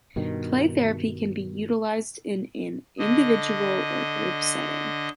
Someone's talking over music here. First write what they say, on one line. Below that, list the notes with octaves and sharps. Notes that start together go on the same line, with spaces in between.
Play therapy can be utilized in an individual or group setting.
G2 B2 D#3
D3 D#5